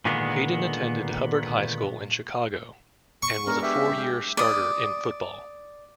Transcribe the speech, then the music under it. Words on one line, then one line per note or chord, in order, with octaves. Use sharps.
Hayden attended Hubbard High School in Chicago, and was a four-year starter in football.
A#2 D3 D#3 G#3 B3
C#6
G#3 B3 D4 A#4
G4 E5
G#3 G5
D5 D#6